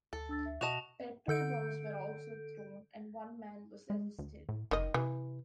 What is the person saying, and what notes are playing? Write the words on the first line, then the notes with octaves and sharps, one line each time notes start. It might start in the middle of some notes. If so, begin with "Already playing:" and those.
Petrol bombs were also thrown and one man was arrested.
D2 A4
D4 E6 A6
E5
B2 F#4 D#5 A5 E7 F7
D3 A4 G6 D7
G#3
D2
A2
F#1 D#3 D#5
C3 E3